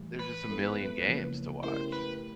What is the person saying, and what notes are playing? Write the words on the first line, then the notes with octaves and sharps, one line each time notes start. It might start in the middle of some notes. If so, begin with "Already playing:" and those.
there's just a million games to watch.
Already playing: A2 E3 G3
B4
G#3 B3 E4 A4
C#3 F3 A#3 C#4
A3 C#4 E4 G4 A#4 C5
B4